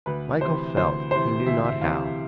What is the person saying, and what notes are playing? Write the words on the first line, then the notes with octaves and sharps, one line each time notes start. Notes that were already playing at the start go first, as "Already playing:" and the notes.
Michael felt he knew not how.
D2 B4
C3 E3 C5
D2 C5
C3 E3 C5
D2 E5
E5
C3 E3 F5